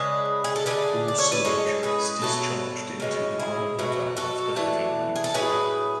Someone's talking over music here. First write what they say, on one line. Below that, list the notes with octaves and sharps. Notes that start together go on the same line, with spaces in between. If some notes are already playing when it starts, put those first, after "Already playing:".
Raw sewage is discharged into the Grey River after heavy rainfall.
Already playing: C#3 G#3 D4 G#4 B4
G#4
A4
D3 A3 D4 G#4 B4
D5
A4 C#5
B4 D5
A2 G#3 C#4 A4 C#5
G#4 B4
B2 F#3 A3 F#4 A4
C#3 E3 G#3 C#4
E4 G#4
B2 F#3 A3 F#4
F#4 A4
E3 A3 D4
G#4
A4
A2 F#3 B3 G#4 B4